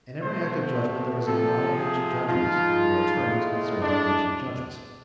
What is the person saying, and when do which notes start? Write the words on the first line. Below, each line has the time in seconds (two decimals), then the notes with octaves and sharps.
In every act of judgement there is a mind which judges, and there are terms concerning which it judges.
0.22 B2 A3 C5
1.25 C3 F3 A3 A4
1.76 G#4
2.27 G#2 F3 G#3 F4
3.29 A2 G#3
3.81 D4